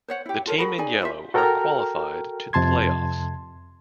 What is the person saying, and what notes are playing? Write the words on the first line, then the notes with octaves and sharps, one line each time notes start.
The team in yellow are qualified to the Play Offs.
C5 C#5 F#5
E4 G4
F4 A4 A#4 C#5
F#4 G#4 A#4 B5
D#4 G#4 D5 G#5
E4 F4 C5 E5
F#4 A4 A#4 G5 A#5 F6
F2 C3 A5 C6 G#6